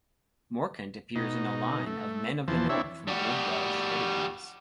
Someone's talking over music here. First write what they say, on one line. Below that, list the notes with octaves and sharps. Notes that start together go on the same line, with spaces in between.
Morcant appears in a line of "Men of the North" from Old Welsh pedigrees.
B2 D#4
A3
E2 E3 F3 C5 A5
C4 D4 E4 C#5 E5
G3 F#4